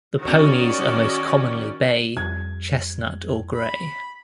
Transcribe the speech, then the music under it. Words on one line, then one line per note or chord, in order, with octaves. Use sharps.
The ponies are most commonly bay, chestnut, or grey.
D#3 C#4 F#4 C#5 D5
F2 G3 G#6
B5